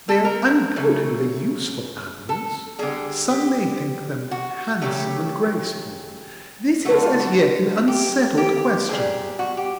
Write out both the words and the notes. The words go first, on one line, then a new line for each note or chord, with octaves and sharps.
They are undoubtedly useful animals; some may think them handsome and graceful: this is, as yet, an unsettled question.
A4
A#4
C#3 F#3 A3
A4
D3 G3 G#4
G4
F#4
C#3 F#3 A3 G4
D3 F#3 A3 F#4
F4
F#4
G4
G4
A#2 G3 G#4
F#4
G4